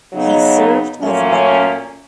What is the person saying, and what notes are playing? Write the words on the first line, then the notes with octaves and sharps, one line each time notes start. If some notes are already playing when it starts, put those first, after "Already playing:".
He served as butler.
C#3 F#3 B3 D#4
A#2 F#3 A3 C#4